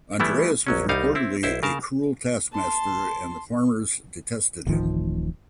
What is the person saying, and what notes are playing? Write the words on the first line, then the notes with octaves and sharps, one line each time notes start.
Andreas was reportedly a cruel taskmaster, and the farmers detested him.
E3 G3 A3 B3 E4
A#1 F#3 C#4
C2 G3 D#4 A#4 F5
C4 E4
B1 E4 C5
C#3 A#4 A5
A5 C6
D1 A1 D#3 F3